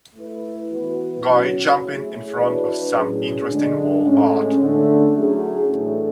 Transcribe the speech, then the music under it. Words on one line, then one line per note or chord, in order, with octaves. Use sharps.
Guy jumping in front of some interesting wall art.
A3 E4 B4
E3 B3 F#4 B4
F#3 C#4 F#4
A3 E4 G#4 C#5
E3 G#3 D4 F#4 B4
A2 F#3 C#4 G#4
D3 G#3 D4
A2 G#3 C#4
D3 A3 D4
F#3 A3 C#4 E4 G#4
A2 E3 A3 D4 A4